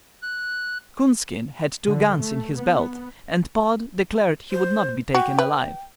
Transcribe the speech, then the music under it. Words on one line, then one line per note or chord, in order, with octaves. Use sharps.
Coonskin had two guns in his belt, and Pod declared he would not be taken alive.
F#6
D3
A3
B3
C5
F#4 G5
B4